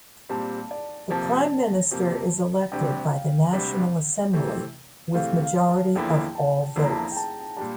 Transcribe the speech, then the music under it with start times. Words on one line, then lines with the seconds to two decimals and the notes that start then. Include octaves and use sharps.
The Prime Minister is elected by the National Assembly with majority of all votes.
0.29 A#2 G3 C4 A5
0.71 D5
1.10 F2 C3 F3 A#3 A5
1.91 F2 C3 F3 A#3
2.72 D2 C3 G3 D4 G5
3.12 F5
3.53 D2 C3 G3 D4
4.33 C3 E3 A3 C4
5.14 C3 E3 A3 C4 F5
5.42 F5
5.69 A5
5.95 E2 D3 F3 A#3 E4 G5
6.35 A5
6.76 E2 D3 F3 A#3 E4
6.84 A#5
6.90 A5
6.98 A#5
7.12 G5
7.17 A5
7.57 A#2 G3 D4 A5